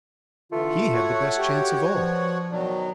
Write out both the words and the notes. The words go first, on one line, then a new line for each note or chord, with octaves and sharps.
He had the best chance of all.
D3 E3 A3 F4
F#4 C#5 F#5
G4
G2 F3
B2 D#3 F#3 D4